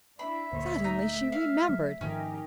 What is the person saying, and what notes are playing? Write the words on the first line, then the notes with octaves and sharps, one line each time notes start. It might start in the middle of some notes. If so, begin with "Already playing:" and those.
Suddenly she remembered.
D4 E4 E5 B5
D2 A#2 C5 C#5 D#5
A3 D#4
F5
F#3
G#2 D#3 F3 C#4 D#4 G4 A#4